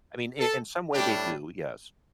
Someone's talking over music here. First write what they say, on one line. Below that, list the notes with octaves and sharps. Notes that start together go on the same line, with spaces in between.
I mean, i in some way they do, yes,
A4
A2 G3 D4 G4